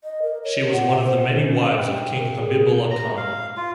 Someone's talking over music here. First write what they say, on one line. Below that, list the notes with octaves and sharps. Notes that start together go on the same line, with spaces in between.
She was one of the many wives of king Habibullah Khan.
D#5
A#4
C#5
F#5
C5
C#4
G5
A#4
G#4
A#5
F5
F4